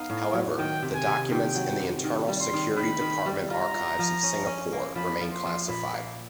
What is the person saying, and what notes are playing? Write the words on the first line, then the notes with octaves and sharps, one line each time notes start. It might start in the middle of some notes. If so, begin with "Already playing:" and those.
However, the documents in the Internal Security Department archives of Singapore remain classified.
Already playing: B3 D#4 F5
A2
F#3
D#3 G5
C3
G#5
C3
D#3 G5
F#3
C3
D#3
G3
C6
D#3
D#3 B5
D#3
G3
F4 A#5
F4
F3
C#4
C#4
A#3
F3 B5
F3
C6
F3
A#2 B5
A#3